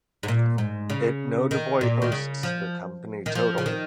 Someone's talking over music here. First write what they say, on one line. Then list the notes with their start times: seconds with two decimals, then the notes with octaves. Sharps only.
It notably hosts the company Total.
0.23 G#2
0.28 A#2
0.58 G#2
0.90 C#3
1.51 D#3
1.81 A#2
2.02 D#3
2.12 C#3
2.43 F3
3.26 D#3
3.35 F3
3.58 C#3
3.66 D#3